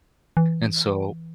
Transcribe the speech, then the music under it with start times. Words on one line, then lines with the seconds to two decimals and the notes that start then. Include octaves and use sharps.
and so,
0.37 E3